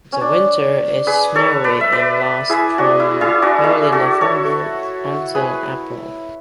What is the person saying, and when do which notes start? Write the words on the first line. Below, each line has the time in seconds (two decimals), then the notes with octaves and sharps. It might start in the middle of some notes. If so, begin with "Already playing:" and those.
The winter is snowy and lasts from early November until April.
0.12 C#4
0.21 D4
1.07 G#4 B4
1.35 A4 C#5
1.64 B4 D5
1.81 E5
1.92 B4 D5
2.50 E4 G#4
2.78 D4 F#4
3.00 E4
3.21 E4 G#4
3.42 D4 F#4
3.63 E4 G#4
3.92 F#4 A4
4.21 A4 C#5
5.35 G#4 B4